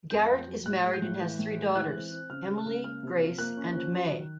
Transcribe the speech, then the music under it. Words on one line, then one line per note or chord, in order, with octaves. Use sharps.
Garrett is married and has three daughters, Emily, Grace, and May.
F2 G6
F2
F#3
A2 F#6
G#3
G6
A2
E3
A2
G#3
E3 F#6
C4
C4
C#3 F6
G#3
C#3
A#3 F6
C3
F3
A#3 F#6
C#4
F3
F#3
D#3